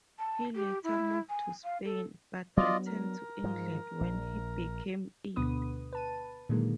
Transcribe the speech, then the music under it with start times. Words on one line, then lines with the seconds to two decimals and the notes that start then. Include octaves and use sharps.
He later moved to Spain, but returned to England when he became ill.
0.19 A5
0.55 G4
0.84 E4
1.29 G#5
1.64 F5
1.85 A4
2.57 F#3 B3 D4 F4 D5 D#5
2.87 A#4
3.44 G#2 F3
4.01 A#1
5.36 D2 B2 D3 B3 B4 D#6
5.93 B4 A5 D#7
6.49 A#2 D3 D#3 F#3 G#3 A#3